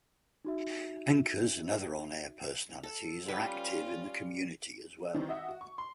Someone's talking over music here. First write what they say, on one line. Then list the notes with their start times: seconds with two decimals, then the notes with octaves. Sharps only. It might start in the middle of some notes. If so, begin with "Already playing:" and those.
Anchors and other on-air personalities are active in the community as well.
0.45 D#4 F#4 E5
2.83 A4
3.28 G3 C#4 F4 B4
5.14 D#3 E3 G3 C4
5.28 F#4 D#5 E5 F#5
5.48 F#4
5.61 C#6
5.78 C6